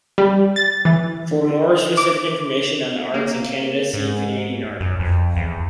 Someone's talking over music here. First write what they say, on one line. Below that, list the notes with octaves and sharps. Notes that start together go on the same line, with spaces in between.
For more specific information on the arts in Canada, see Canadian art.
G3
A6
E3
D6
A#3
G#2
F#2
F2
E2